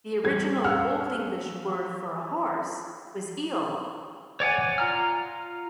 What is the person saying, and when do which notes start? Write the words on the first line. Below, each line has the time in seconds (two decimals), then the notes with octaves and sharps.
The original Old English word for a horse was "eoh".
0.24 G3 G#6
0.64 F5 F#5 E6 F6
4.40 C#5 D5 F#5 G#5
4.78 F4 A#5 F6